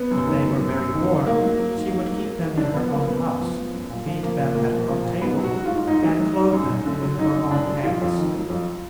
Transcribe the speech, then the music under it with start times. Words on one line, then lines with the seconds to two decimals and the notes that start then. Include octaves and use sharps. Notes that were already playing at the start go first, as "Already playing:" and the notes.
When they were very poor, she would keep them in her own house, feed them at her own table, and clothe them with her own hands.
Already playing: B3
0.11 F#2
0.26 D#3
0.44 F#3
0.60 F#2
0.77 F#2
0.93 D#3
1.09 F#3
1.25 G#2 A#3
1.42 F#3
1.59 F#3
1.75 G#2
1.91 G#2
2.09 F#3
2.25 F#3
2.42 G#2
2.57 F#2 D4
2.74 F3 B3
2.90 F3 A#3
3.07 F#2 B3
3.23 F#2
3.40 F3
3.57 F3
3.73 F#2
3.90 A#2
4.06 F3
4.22 F3 A#3
4.38 A#2
4.55 A#2 A#3
4.72 F3
4.87 F3
5.04 A#2
5.21 G#2 B3
5.37 F#3
5.43 F#4
5.53 F#3
5.65 F4
5.71 G#2
5.87 G#2 D#4
6.03 F#3
6.19 F#3
6.36 G#2
6.53 F#2
6.69 F#2
6.86 D3
7.01 F#3
7.18 F#2 D#4
7.35 F#2
7.51 D3 D4
7.68 F#3
7.84 F2 F4
8.01 F2
8.18 D#3
8.34 F#3
8.50 F2